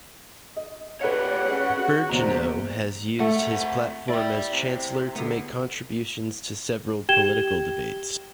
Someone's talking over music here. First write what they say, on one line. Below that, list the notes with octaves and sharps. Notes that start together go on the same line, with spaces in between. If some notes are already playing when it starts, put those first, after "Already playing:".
Birgeneau has used his platform as Chancellor to make contributions to several political debates.
D#5
G3 B4 C#5 F#5 C#7
C#4 G#4
F#4
E1 A#2 C5 A#5
C3 A3 F#5
E4 D5 G5
C3
D3 B3
G4 G5 G#6 E7 G7